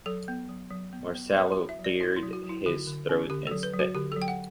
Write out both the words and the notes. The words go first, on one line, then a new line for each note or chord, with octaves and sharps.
Marcello cleared his throat and spit.
F#3 A4
B3
F#3
F#3
B3
B3
F#3 B4
F#4
E4
E5
F#3
D5
E4 F#4
E4
F#3
F#4
F#3
E4
D3 F#4
D3
C#4
D3 G4
F#3 A4
B4
F#3
F#4
D3 G4
F#3 A4
G5
F#5